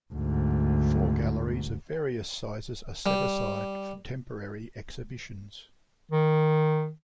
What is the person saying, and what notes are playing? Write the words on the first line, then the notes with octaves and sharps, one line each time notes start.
Four galleries of various sizes are set aside for temporary exhibitions.
D2 G#2
G3
D#3